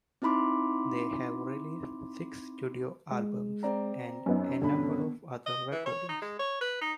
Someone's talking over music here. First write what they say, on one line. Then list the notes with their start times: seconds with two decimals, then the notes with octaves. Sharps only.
They have released six studio albums and a number of other recordings.
0.22 C4 D#4 E4 B5 C6 D6
3.11 G#3
3.63 C4 D5 A#5
4.26 F#2 B3 C#4 D#4
4.62 G2 B2 D3 B3 B5
5.46 D#5
5.72 E3
5.86 C#5
6.09 D#4
6.22 G#3
6.39 C#5
6.61 B4
6.81 D#4